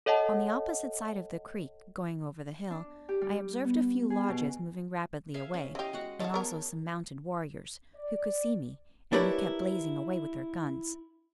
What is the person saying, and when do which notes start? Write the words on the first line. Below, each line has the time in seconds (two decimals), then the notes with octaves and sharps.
On the opposite side of the creek, going over the hill, I observed a few lodges moving rapidly away, and also some mounted warriors, who could see me, and who kept blazing away with their guns.
0.06 A4 C#5 D#5 F#5 A5
2.71 D4
3.09 G4
3.21 G3
3.64 B3
4.10 G#4
4.29 B2
5.34 G#4 E5 F5
5.54 C#4
5.75 E3 G4 D#5 F5
5.93 G#3 F#4 F#5
6.20 F#4 G#4 C#5 D#5 A5
6.34 B3 A#4
7.95 D5
9.13 D4 E4 G4 A#4 B4 C#5